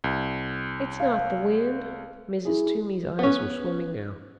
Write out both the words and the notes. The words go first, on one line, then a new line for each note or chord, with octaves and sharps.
"It's not the wind." Mrs. Toomey's eyes were swimming now.
C2
F5
E4 G#4
B3 C#4